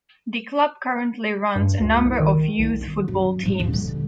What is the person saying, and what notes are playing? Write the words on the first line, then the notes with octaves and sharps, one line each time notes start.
The Club currently runs a number of youth football teams.
G2
D2
C2
D#3
C2
D#3
F#2
G#2 F3
D#1 D3
D3 G3